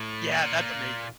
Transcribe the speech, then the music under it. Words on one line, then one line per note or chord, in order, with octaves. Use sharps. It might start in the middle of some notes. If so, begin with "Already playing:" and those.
Yeah, that's amazing.
Already playing: A2
A#2